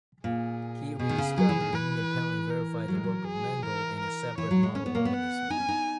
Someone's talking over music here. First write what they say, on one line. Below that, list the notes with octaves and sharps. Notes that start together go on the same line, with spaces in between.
He rediscovered and independently verified the work of Mendel in a separate model organism.
A#2 G#4
B2 G#4
D#3
C#3
F#3 G#4
E3
D#3
E3 B4
A#4
F#3
G#3
F#3
G#4
E3 A#4
A#4
E3 C#5
F#3
G#3
C#4 C#5
B3
A#3
B3
F#5
D#4 G#5
C#4
D#4